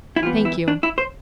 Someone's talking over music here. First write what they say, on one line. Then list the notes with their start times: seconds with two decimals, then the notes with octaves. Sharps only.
'Thank you.
0.16 E4
0.22 E3 G3 B3 F4
0.45 E4
0.68 D4
0.83 E4
0.98 C5